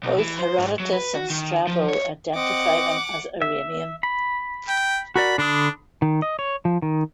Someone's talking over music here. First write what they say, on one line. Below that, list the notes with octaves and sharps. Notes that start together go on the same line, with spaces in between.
Both Herodotus and Strabo identify them as Iranian.
B1
E3
C5
G#2
F#3
B4
F#4
D#3
F3
C#5
C4 D#5 F#5 D6
E5
B5
G5
F#4 A#4 D5 B5
D3 D4 B5 D#6
D#3
D#5
C#5
F3
D#3